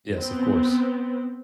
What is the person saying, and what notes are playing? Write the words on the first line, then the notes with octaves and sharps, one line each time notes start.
Yes, of course.
B3 C4